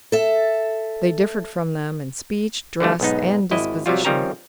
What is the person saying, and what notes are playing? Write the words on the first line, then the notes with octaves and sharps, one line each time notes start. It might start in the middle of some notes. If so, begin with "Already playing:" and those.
They differed from them in speech, dress, and disposition.
A4 E5
D3 E3 G3 A3
B1 G#2 B3 D#4
G#1 E4 D#5
C3 F#3 G3 F4
D#3 F3 G3 C4 C#4 A#5